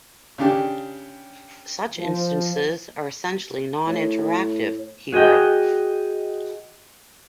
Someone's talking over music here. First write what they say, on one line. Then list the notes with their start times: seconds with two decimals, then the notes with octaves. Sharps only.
"Such instances are essentially noninteractive", he wrote.
0.38 C#3 D4 G4
1.98 F3
3.87 A2 C#5
5.12 F#4 G#4 A#4 D#5 G5